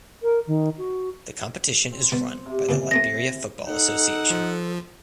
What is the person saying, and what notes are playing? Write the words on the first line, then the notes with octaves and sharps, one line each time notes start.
The competition is run by the Liberia Football Association.
A#4
D#3
F#4
C4
B2 G3
C3
G2 A#2 C#3 E3
A3 C4 G#4 A#6
D#4 A4 F#5
F3